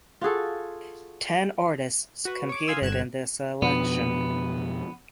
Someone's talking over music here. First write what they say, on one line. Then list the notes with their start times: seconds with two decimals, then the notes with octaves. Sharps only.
Ten artists competed in the selection.
0.21 F4 F#4 G#4 A4
2.25 F#4 B4
2.49 C#5 D6
2.68 F5 G#5 C6 D#6 E6
2.82 G1 F#6 G#6 E7
3.62 F2 B2 B3 D4